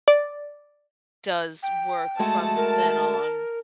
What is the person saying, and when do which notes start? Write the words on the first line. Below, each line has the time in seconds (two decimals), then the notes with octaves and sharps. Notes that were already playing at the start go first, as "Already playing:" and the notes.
does work from then on
0.08 D5
1.63 G5
2.19 G#3 A3 F#4 A5
2.57 A#4